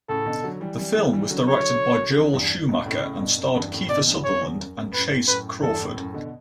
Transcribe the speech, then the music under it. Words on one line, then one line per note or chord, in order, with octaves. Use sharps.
The film was directed by Joel Schumacher and starred Kiefer Sutherland and Chace Crawford.
A2 C#3 A4
B2 D3
D3 F#3
E3 G3
E3 G3
E3 G3
E3 G3
D3 F#3
C#5
D3
C#3 E3
E2 G2
G2 B2
A2 C#3
A2 C#3
G2 B2
F#2
E2 G2
F#2 A2
G2 B2 D5
E2 G2
F#2 C#5
E2
F#2
F#2
F#2 A2 B4
F#2 A2 B4
E2 G2 A4
F#2 A2
F#2 A2
B2 D3